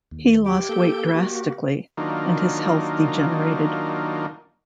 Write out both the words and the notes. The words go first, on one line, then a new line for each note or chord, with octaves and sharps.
He lost weight drastically and his health degenerated.
D#2
G4
A#3 A4 G6
A#3 F#4 G4
D#3 F#3 A#3 D4 D#4 F4